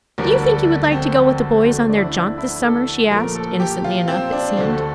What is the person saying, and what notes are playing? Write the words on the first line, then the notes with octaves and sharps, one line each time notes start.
"Do you think you would like to go with the boys on their jaunt this summer?" she asked, innocently enough, it seemed.
D2 D3 G3 A#4
A4
C4
C4
C4
D2 D3 A3 C4
D4
E4
D4
E4
E4
A4
A#2 F3 A3 A#4
A4
G4
F4
C4
D4
D2 D3 A3 C5
A4